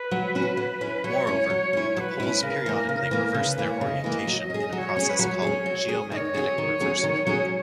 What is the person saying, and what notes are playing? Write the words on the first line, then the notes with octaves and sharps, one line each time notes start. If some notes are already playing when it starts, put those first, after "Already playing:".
Moreover, the poles periodically reverse their orientation in a process called geomagnetic reversal.
Already playing: B4
F#3
C#4 F#4 C#5
F#3
C#4 E4
F#3 C#5
C#4 E4
F#3
C#4 E4
F#3 B4 C#5
C#4 E4
C#3 A#4
E3 A#3
C#3
E3 A#3
C#3 B4 C#5
E3 A#3
C#5
C#3 D#5 F5
E3 A#3
F#3
C#4 G#4
F#3 D#5
C#5
C#4 G#4
B4
F#3 C#5
C#4 G#4
F#3
C#4 G#4
D#3 C#5 D#5
F#3 C#4 G#4
D#3
F#3 C#4 G#4
D#3
F#3 C#4 G#4